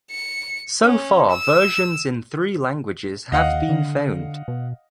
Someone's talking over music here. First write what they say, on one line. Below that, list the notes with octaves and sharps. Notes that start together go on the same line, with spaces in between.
So far versions in three languages have been found.
C#7
C#4
E6
D#2 D#5 F5 F#5
D3
B2